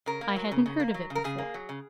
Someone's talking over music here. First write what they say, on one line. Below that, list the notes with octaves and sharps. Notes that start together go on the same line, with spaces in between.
I hadn't heard of it before.'
C#3 A#4
A#3
F#3
C#3
C#3
A#3
F#3
C#3
A#4
C#3 G#4
A#3
F#3
C#3